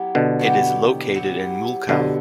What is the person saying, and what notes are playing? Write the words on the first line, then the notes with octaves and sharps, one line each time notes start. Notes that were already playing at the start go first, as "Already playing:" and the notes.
It is located in Mulkow.
Already playing: F#3 B3 E4 G4
B2 D3
F#3 B3 E4 G4
F#3 B3 E4 G4
B2 D3 F#3 B3 E4 G4